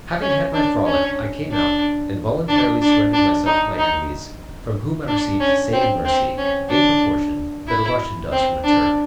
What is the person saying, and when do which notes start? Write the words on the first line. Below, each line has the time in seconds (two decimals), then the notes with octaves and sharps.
Having had my frolic, I came out, and voluntarily surrendered myself to my enemies, from whom I received the same mercy, in proportion, that a Russian does from a Turk.
0.22 C#4
0.54 D4
0.86 C#4
1.52 D4
2.49 D4
2.82 D4
3.14 D4
3.46 D#4
3.78 D#4
5.08 D4
5.40 C#4
5.73 C4
6.05 C4
6.38 C#4
6.70 D4
7.68 E4
8.32 C4
8.64 D4